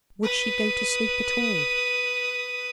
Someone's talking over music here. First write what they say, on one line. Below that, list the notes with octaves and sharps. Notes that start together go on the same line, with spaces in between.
Would she go to sleep at all?
B4 D#6